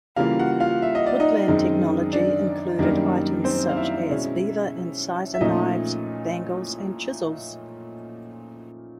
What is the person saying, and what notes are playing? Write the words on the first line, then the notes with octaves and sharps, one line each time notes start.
Woodland technology included items such as beaver incisor knives, bangles, and chisels.
C#3 E3 G3 A#3 F4 F5
F#4 F#5
F4 F5
E5
D#5
D5
D#4 D#5
F#2 D#3 G#3 C4 D#4
D4 D5
F#2 D#3 G3 A#3 D4
C4 C5
F5
E4 E5
B2 G#3 C#4
E5
A#2 F3 A3 C#4 D#4 D#5